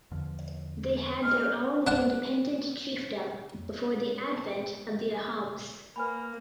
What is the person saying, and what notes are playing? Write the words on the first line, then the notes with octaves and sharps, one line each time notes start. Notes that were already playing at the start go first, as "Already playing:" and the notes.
They had their own independent chiefdom before the advent of the Ahoms.
E2 D3 F3
C#4 D#5 F6
D4 F#5 A5
A#5
A#3 B4 G#5 B5